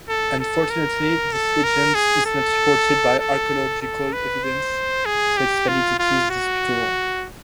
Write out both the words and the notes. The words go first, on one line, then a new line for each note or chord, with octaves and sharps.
Unfortunately this legend is not supported by archaeological evidence so its validity is disputable.
A4
A4
A#4
A4
A#4
G#4
A4
A4
A4
B4
C5
G#4
G4
F4
F4
F#4